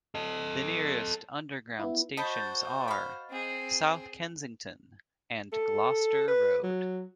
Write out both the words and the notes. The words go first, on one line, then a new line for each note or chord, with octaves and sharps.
The nearest underground stations are: South Kensington and Gloucester Road.
A4 D#5
B3 E4
F#4 C5 D#5 A5 B5 G6 A6
F5 B5
C4 G#4
A4
B4
F#3